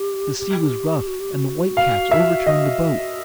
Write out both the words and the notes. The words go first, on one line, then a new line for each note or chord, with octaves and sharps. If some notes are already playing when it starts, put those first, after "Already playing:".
The sea was rough and the whitecaps overturned the boat.
Already playing: G4
G4
F#4
G4
F#4
F5
E5
D#5